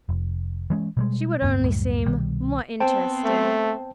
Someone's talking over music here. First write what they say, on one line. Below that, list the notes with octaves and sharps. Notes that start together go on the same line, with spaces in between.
"She would only seem more interesting."
F1
E3 G#3 C#4
B2 G3 G#3
F1 D2 G2 B3
C#2 F#2 A2 G3
C2 B2 D#3 G3
B3 C4 C5 G5 A5
A3